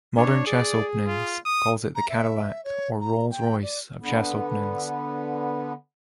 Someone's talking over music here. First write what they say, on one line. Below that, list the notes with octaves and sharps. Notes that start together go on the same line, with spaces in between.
"Modern Chess Openings" calls it the "Cadillac" or "Rolls Royce" of chess openings.
D4 C#5
G#4 D5
F4
D#6
A#5
E5
C#5
A#5
G5
D5
D3 B3